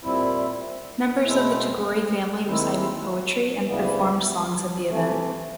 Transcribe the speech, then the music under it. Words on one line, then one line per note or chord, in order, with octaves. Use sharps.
Members of the Tagore family recited poetry and performed songs at the event.
A#2 G3 C4 E4
E2 B2 G#3 C4 E4
D#2 D#3 G#3 C4 E4
D2 C#3 E3 G3 B3
C3 E3 A3